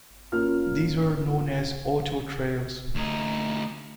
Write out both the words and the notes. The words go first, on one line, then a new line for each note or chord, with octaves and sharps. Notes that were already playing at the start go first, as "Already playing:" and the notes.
These were known as "auto trails".
A#3 C#4 F4 F6
D2 D#4